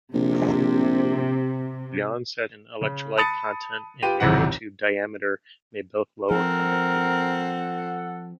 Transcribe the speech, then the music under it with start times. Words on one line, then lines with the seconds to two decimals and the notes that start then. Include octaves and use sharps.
Beyond-saturation electrolyte content and narrow tube diameter may both lower conductivity.
0.14 A#1 C3
2.81 C#3
3.17 A5 B5 D#6 A6 C#7
4.03 F4 G4 B4 G5 D#7
4.20 G#1 C#2 F#2 C3 E3 F#5
6.31 F3 C4 A4 A#4 F#5